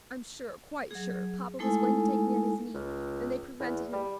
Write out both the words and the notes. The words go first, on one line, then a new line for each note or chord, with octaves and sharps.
I'm sure, quite sure papa was going to take me on his knee, and they prevented him.
F#3 G#4
G#3 A3 D#4 E4 A4 G#5
C#2
E2
G3